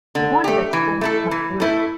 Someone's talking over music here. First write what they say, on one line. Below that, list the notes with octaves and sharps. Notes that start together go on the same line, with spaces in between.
We wanted that strength to come through.
D3
A3 G4
E3
A3 E4 A4
E3
A3 E4 A4